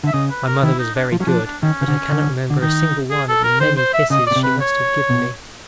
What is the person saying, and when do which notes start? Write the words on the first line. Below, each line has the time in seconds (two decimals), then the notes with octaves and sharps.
My mother was very good, but I cannot remember a single one of the many kisses she must have given me.
0.04 D3 E5
0.13 C#3 D#5
0.31 B4
0.47 A#4
0.63 D#3 E4
0.79 D#4
0.96 D4
1.12 F3
1.20 F#3 C#4
1.27 F3 D4
1.45 D4
1.62 D#3 C#4
1.81 C#3
1.88 D3
2.12 D3
2.50 D3
2.62 D#3 D#4
3.11 G#4
3.29 A4
3.44 A#4
3.60 D#3 C5
3.77 C5
3.94 E5
4.10 C#3 D#5
4.27 B2 D5
4.36 C3
4.44 B4
4.61 C#5
5.10 B2